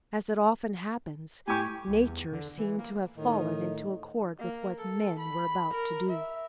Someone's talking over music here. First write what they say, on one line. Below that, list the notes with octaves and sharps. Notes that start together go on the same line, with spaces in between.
As it often happens, nature seemed to have fallen into accord with what men were about to do.
A2 G4 G#5 C#6
C2
E2
D3
E3
A#3
A2 D#3 D#4 D#5
A#3
A4
B5
A#4
E5